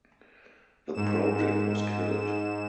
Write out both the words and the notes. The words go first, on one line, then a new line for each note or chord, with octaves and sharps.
The project was killed.
G#2 E7